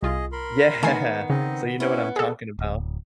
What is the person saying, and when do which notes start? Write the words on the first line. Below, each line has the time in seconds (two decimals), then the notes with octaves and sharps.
Yeah, so you know what I'm talking about.
0.03 C2 F4 G#4 D#5
0.32 A#4 B5 C6
0.83 D#3 A3 B3 G#5 C7
1.30 C#3 C4 D#4 D#5
1.80 B3 C#4 E4
2.16 G#4 A4 D#5
2.59 D1